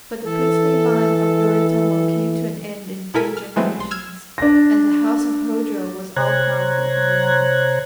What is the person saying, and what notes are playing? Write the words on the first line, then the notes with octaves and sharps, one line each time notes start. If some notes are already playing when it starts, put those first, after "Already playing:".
But the princely line of Yoritomo came to an end in three generations, and the house of Hojo was all-powerful in the land.
E3 A4
B2 E4 A4 A#4 G#5 B6
F6
E3 F#3 G#3 A3 B3 C4
B1 C6
E6 F6 G#6
D4 A#6
C3 C5 C#5 A#5 F#6 G#6